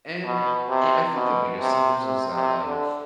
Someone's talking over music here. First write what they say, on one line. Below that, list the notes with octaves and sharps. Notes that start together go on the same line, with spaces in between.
and I I think the biggest thing is is that, like,
B2
C3
B2
C3
C3
C3
D3